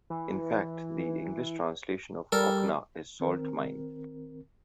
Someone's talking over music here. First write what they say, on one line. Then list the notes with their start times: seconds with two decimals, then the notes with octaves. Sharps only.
In fact the English translation of Ocna is salt mine.
0.10 E3
2.32 G3 A4 A#4
3.20 D#3 C4 A#4